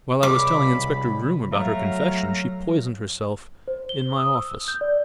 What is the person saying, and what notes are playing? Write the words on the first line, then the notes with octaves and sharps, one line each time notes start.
While I was telling Inspector Groom about her confession, she poisoned herself in my office.
C#2 C3 G3 B5 D6
F#3 A3 E5 F5 A#5
C5
G7
D#6
E6
G6
D5